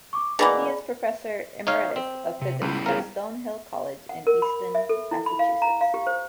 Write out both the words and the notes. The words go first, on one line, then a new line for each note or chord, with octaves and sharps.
He is Professor Emeritus of Physics at Stonehill College, in Easton, Massachusetts.
C#6 D6
B2 E3 A#3 G#4 D5 B5
D#4 C#5 F5
C4
C3
C#2 G3 C#4 E4
C#3 A#4
F#5
A#4
B5
E5
A4
E4
B5
F5
A#5
F5
G4
C5